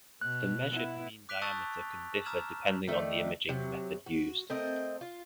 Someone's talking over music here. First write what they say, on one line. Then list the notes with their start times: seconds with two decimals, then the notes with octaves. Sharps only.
The measured mean diameter can differ depending on the imaging method used.
0.21 B2 F#6
0.71 B3 E4
1.29 D6 F#6 B6 D7 F7 G7
1.42 A5 C#6 D#6 E6 G6 A6
2.26 A#5 D6 E6 F6 G#6 E7
2.87 D#3 A3 D4 D#4
3.49 C3 F#3
4.06 F#4
4.50 A3 C4 A#4 D#5
5.01 F4